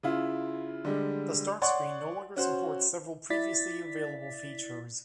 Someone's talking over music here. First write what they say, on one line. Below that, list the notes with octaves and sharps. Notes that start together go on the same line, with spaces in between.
The Start screen no longer supports several previously available features.
C#3 E4 F4
D3 G3 G#3
C#5 D5 F#5 C6 C#6
C#4 F#4 C5
E4 D5 A6 B6